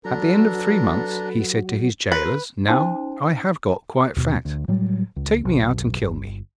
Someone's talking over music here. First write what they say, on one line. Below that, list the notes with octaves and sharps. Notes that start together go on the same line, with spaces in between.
At the end of three months he said to his gaolers: 'Now I have got quite fat; take me out, and kill me.'
F#3 D4 A4 B4 A#5
B4 A#5 C6
C#4 D#4 C5 A5 C6
D#2 B2
D2
A2 F#3 G3
C#2
F#1 B1
G1